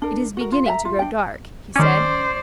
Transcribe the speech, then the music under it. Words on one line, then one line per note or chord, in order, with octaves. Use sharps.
"It is beginning to grow dark," he said.
D4 A#4
F#4 A#4
F4
E5 F#5 A#5
F4
D4 G5
D#3 C#4 C5 D5